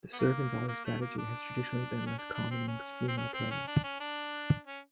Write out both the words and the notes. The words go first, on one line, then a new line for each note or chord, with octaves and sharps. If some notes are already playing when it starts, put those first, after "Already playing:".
The serve-and-volley strategy has traditionally been less common amongst female players.
B3
A#3
A#3
A3
A#3
D4
C#4
D4
D4
C4
C#4
C4
C#4
C4
C#4
D4
C#4
D4
C#4